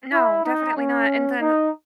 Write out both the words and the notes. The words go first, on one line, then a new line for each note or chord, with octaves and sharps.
No, definitely not. And then
E4
D#4
C#4
D#4